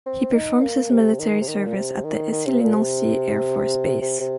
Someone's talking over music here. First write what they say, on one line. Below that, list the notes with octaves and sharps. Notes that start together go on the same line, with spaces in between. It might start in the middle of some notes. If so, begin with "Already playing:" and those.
He performs his military service at the Essey lès Nancy Air Force Base.
C4
D#4
A#3
C3
D#3
C3
D#3
A#2
C3
D#3
D#3
C3
A#2
C3
C3
C3